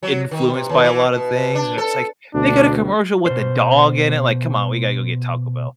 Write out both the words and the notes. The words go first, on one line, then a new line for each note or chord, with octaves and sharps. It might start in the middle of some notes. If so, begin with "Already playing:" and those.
influenced by a lot of things, and it's like, they get a commercial with a dog in it. Like, "Come on, we gotta go get Taco Bell."
F#3
D#3
C3
D#2
E3
B2
D4
A4
D2 B2 D4
B2 C5